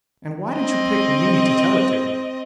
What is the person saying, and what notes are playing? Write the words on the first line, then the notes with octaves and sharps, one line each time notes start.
"And why did you pick me to tell it to?"
C4 D#5